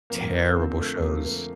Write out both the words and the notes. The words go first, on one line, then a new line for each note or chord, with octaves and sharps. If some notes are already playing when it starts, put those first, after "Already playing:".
Terrible shows.
F2 A#3
C4
D3 F3 C4
A3
F2 A#3
A#3